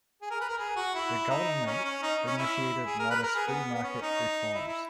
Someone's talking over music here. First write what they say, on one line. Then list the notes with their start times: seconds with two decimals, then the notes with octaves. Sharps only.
The government initiated modest free market reforms.
0.22 G#4
0.31 A#4
0.41 B4
0.49 A#4
0.58 G#4
0.76 F#4
0.95 E4
1.30 D#4
1.66 C#4
1.85 C#4
2.02 D#4
2.26 C#4
2.38 E4
2.86 G#4
2.99 A#4
3.10 B4
3.23 A#4
3.35 G#4
3.47 B3
3.74 B3
3.84 C#4
4.02 D#4
4.55 E4
4.68 E4